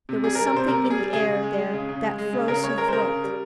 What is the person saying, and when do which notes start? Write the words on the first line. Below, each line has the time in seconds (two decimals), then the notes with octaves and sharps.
There was something in the air there that froze her throat.
0.09 C3
0.24 G3 G#4
0.35 A#4
0.38 G3
0.46 A#4
0.54 C3 C5
0.68 C3 A#4
0.83 G3
0.90 G#4
0.98 G3
1.13 C#3 G#4
1.28 C#3
1.43 G#3
1.58 G#3
1.74 C#3
1.89 C#3
2.03 G#3
2.18 G#3
2.33 C#3
2.48 C#3 A#4
2.62 G#3 C#5
2.78 G#3 A#4
2.88 C5
2.93 C#3 A#4
3.08 C#3
3.23 G3